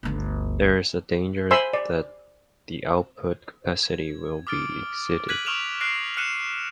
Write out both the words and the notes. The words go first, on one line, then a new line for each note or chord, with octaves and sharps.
There is a danger that the output capacity will be exceeded.
G1 D2
C5 E5 G#5 B5 C6 E6
D5
G#6
D6 D#6 F6 A6 D7
F#6 G#6 B6 D#7 F#7
C#6 D#6 F6 D7 E7 F7
F6 F#6 A#6 C7 D7
F6 F#6 C#7 D#7 E7